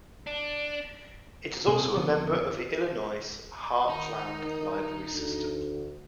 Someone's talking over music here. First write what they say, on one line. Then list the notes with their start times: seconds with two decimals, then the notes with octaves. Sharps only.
It is also a member of the Illinois Heartland Library System.
0.27 D4
1.68 C3 A#3 C4 C#4 G#4
1.96 F2 D3 D#3 B3
3.89 D#3 D#4
5.09 D2